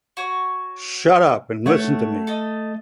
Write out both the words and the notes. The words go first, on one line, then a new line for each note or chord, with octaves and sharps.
Shut up and listen to me.
F#4 C#5
A3 C#5 F#5
A4 D#5